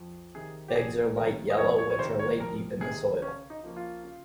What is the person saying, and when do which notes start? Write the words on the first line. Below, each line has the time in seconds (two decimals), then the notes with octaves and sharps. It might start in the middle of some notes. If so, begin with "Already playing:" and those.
Eggs are light yellow which are laid deep in the soil.
Already playing: F2
0.35 C3 D#3 G#4
0.68 G4
0.75 F2 G#4
1.16 C3 D#3 A#4
1.50 D#5
1.57 F2 C#5
1.78 C#5
1.90 C#5
1.99 C3 D#3 C5
2.19 C#5
2.40 F2 A#4
2.81 C3 D#3 G#4
3.22 C#3 C#4
3.50 D#4
3.63 F3 A#3 C#4
3.77 F4
4.04 C#3